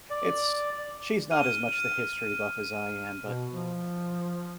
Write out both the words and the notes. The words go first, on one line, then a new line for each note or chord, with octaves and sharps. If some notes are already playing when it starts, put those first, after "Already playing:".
it's she's not as much the history buff as I am, but
D5
F6 D#7
B2
F3